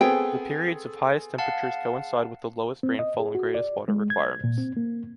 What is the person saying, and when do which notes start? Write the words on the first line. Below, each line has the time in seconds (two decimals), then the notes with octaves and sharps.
The periods of highest temperatures coincide with the lowest rainfall and greatest water requirements.
0.01 B3 C4 G#4 A4 G5
1.38 F5 F#5 A5
2.83 C4
2.99 D#5
3.19 G#4
3.35 F#4
3.55 D5
3.88 G#3
4.10 G#6
4.44 A#2
4.58 C4
4.77 A#3